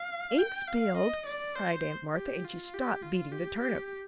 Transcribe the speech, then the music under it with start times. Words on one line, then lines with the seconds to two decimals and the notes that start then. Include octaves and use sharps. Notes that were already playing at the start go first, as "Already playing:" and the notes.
"Ink spilled?" cried aunt Martha, and she stopped beating the turnip.
Already playing: F5
0.38 G5
0.68 F5
0.98 D#5
1.27 D5
1.56 C5
2.15 G4
2.44 F4
2.74 G4
3.02 F4
3.32 G4
3.61 G4